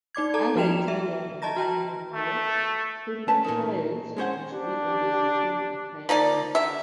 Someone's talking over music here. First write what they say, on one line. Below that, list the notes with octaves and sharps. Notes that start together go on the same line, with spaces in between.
Under Italian and Romanian law, criminal trials must be ended within a time limit.
D#4 D5 D6 G#6
A4 A5 A#5
F3 F#4 G5 E7 F7
E5
D#5 A5 A#5 A#6
F#4 G5 A5 A#5
A3
C#4 B4 A5
A#2 E3 D#4 A#4 C#5
G#3 C#4 E4 C5 C#5 F#5
D4 G4
F3 A#3 D#4 D5
D3 G4 E5